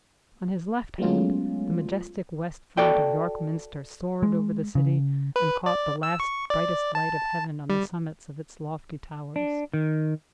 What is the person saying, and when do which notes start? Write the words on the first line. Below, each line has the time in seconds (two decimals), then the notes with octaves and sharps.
On his left hand, the majestic west front of York Minster soared over the city and caught the last brightest light of heaven on the summits of its lofty towers.
0.98 F#3 G#3 A3 B3 C#4 F4
2.77 F#4 A4 D5 G5
4.23 G#3
4.75 C#3
5.36 B4
5.66 D5
6.03 E6
6.20 C#6
6.50 D5
6.95 A5
7.70 G3
9.36 D4
9.74 D#3